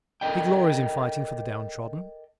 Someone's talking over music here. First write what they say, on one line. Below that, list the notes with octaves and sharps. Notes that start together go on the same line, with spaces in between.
He glories in fighting for the downtrodden.
A4 A#4 C5 D5 D#5 G5